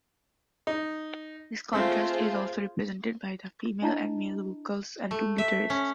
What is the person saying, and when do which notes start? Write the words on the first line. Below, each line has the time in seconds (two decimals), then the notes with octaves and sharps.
This contrast is also represented by the female and male vocals and two guitarists.
0.67 D#4
1.73 A3 C4 F4 G#4 C5
3.82 D4 E4 D#5 A5 A#5
5.11 A3
5.38 E5
5.70 C#4